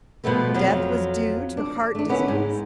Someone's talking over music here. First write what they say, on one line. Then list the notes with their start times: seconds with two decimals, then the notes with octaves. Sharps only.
Death was due to heart disease.
0.24 B2 F3 G3 A3 B3
0.54 F2 F3 F#3
1.57 D4
1.95 A3 D4
2.09 B3 C#4 E4
2.28 G#2